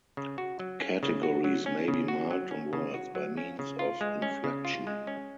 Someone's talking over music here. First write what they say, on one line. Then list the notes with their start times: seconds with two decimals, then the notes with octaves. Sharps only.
Categories may be marked on words by means of inflection.
0.17 C#3
0.38 F#4
0.59 F#3
0.80 C#4
1.03 C#3
1.23 F#4
1.44 F#3
1.66 C#4
1.88 C#3
2.08 F#4
2.31 F#3
2.51 C#4
2.73 C#3
2.94 F#4
3.15 F#3
3.37 C#4
3.59 C#3
3.79 F4
4.01 G#3
4.22 C#4
4.44 C#3
4.65 F4
4.87 G#3
5.07 C#4